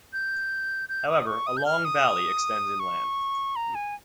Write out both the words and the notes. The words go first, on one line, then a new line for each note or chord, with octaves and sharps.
However, a long valley extends inland.
G6
G6
D#6
C#6
D#6
G6
F6
D#6
C#6
A#5
G#5